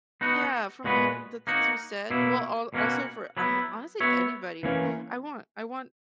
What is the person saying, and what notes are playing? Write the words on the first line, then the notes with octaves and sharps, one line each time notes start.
Yeah, from the things you said, well, al also for hon honestly, anybody I want I want
B3 D#4 F#4
A#2 G#3 B3 F#4 B4
A#3 D#4 F#4
B2 A#3 E4
B2 A#3 C#4 F#4
F#3 B3 E4
B3 F#4 C#5 E5
E3 A#3 C#4